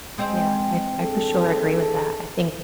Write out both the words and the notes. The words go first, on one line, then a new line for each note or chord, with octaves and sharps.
Yeah. I I for sure agree with that. I think
G#3 C4 D#5
D4 G#4 A4